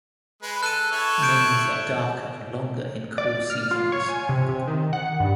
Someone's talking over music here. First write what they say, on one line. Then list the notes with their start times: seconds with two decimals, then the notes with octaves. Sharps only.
Manes are darker and longer in cool seasons.
0.42 G#3 B4
0.63 A4 F#6 D#7
0.92 E4 A4 C#5
1.22 G6 D7 E7
3.18 D5
3.50 F6
3.71 F4
3.92 C#5
4.09 G#5
4.29 C3
4.49 C3
4.67 D#3
4.93 F#5
5.20 G2